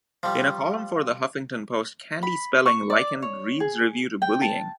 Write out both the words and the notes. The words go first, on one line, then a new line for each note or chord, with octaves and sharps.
In a column for "The Huffington Post", Candy Spelling likened Reed's review to bullying.
F3 G3
B5
C#6
D5
C#5
G#4
G5
A5